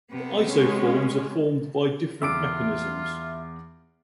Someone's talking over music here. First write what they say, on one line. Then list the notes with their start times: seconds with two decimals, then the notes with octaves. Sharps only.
The isoforms are formed by different mechanisms.
0.10 C3 B3
0.46 G#3 C#4
2.22 E2 F4 E5 D6 D7